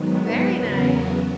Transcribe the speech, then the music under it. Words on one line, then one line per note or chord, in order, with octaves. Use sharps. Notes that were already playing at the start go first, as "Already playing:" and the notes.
Very nice.
Already playing: G#2 D#3 F#3 B3
B4
E2 C#3 F#3 B3 A#4